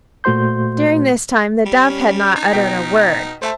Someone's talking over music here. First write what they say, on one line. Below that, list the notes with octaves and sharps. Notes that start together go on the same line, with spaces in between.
During this time the Dove had not uttered a word.
A#2 A3 F#4 C5 C6 G6
G3
C#4
D#4
B2 G5 B6
A3 C5 E5 A5